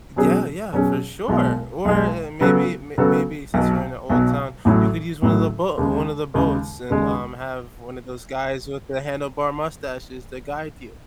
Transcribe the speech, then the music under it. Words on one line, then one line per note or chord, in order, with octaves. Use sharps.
Yeah, yeah, for sure. Or, eh, maybe may maybe since you're in an old town, you could use one of the bo one of the boats and, um, have one of those guys with the handlebar mustaches to guide you.
B2 F#3 C#4 G#4
B2 F#3 C#4 G#4
B1 B2 G#3
B1 B2 G#3
C#3 F#3 B3 F#4 A4
C#3 F#3 B3 F#4 A4
B1 B2 F#3
B1 B2 F#3
A1 A2 F#3
A1 A2 F#3
D#2 C#3 G#3
D#2 C#3 G#3
D#2 C#3 G#3